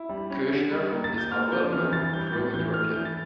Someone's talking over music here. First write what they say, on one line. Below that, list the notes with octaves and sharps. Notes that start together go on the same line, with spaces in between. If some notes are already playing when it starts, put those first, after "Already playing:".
Kouchner is a well-known pro-European.
Already playing: E4
G3
C#4
D3
G3
A#3
A6
A#3
G6
A#3 F6
F3 G6
E3 F6
E3 A6
G3 G6
G6
A2 A6
E3 G6
A3 F6
E3 G6
A6